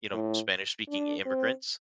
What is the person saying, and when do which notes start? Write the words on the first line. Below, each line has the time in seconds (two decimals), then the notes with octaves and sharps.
you know, Spanish-speaking immigrants,
0.13 A2
0.88 D4
1.26 C4